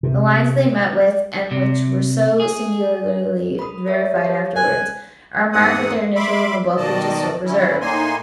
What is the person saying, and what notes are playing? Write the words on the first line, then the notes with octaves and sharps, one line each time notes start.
The lines they met with and which were so singularly verified afterwards, are marked with their initials in the book, which is still preserved.
C3
C3
G#4
B5 D#6
A#4 C#5 E5
G4 C#5
G#5 F#6
E2 G#2 A#3 C4 F#5 D#6
E5 B5 C6 D6
B2 D#3 D5 D#5 A5
D3 C#4 E4
A2 A#3 D#4 G#5 C6